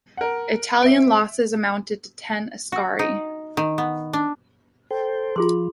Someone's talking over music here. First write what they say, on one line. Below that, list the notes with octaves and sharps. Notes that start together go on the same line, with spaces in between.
Italian losses amounted to ten askari.
A#4 F#5
C4 E5 D7
F#4
D#4
D#3
B3
D4
A4 C5 G5
F3 F4 G#4 C6